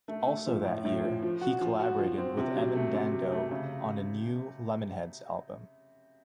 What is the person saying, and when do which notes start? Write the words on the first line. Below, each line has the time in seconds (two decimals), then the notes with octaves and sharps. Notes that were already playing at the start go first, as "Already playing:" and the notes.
Also that year, he collaborated with Evan Dando on a new Lemonheads album.
0.08 A3
0.27 A3
0.46 F3
0.65 A2
0.85 A2
1.03 F3
1.22 F3
1.41 F#4
1.61 F3
1.80 F#4
1.99 F3
2.18 C4
2.37 C3
2.56 F#3
2.75 A3
2.94 C3
3.13 C3
3.32 A3
3.51 C#3